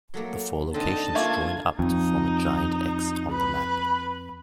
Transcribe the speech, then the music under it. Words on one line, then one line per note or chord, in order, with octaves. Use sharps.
The four locations join up to form a giant X on the map.
F#3 A3 A#3
D3 C4 D#4 D#5 A5
A3 A#3 F4 G#6
F2 D#4
B4 B5